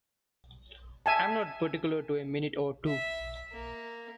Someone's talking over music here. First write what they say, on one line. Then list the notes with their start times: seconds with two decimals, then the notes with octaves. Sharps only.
I'm not particular to a minute or two.
1.06 E5 G#5 A5
2.87 E5
3.52 A#3